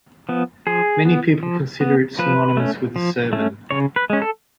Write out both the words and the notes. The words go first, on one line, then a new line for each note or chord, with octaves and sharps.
Many people consider it synonymous with a sermon.
F3 B3
F3 G#4
B3
F3
B3
F3 B4
A3 C#4
F3
A3 C#4
C#3 C#5
B4
G#3 C#4
A4